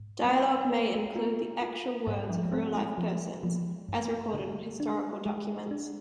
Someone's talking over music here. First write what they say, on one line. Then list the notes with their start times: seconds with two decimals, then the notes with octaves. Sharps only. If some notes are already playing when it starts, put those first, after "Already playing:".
Dialogue may include the actual words of real-life persons, as recorded in historical documents.
Already playing: G#2
0.24 G3 C4
0.70 B4
1.15 B3 F4
1.61 F4
2.07 G#2 G3
2.29 F3
2.43 G#3
2.52 G3 C4
2.75 G#3
2.98 F3
3.43 F3
3.89 G2
4.34 D3
4.80 D4
5.26 G#3
5.71 D4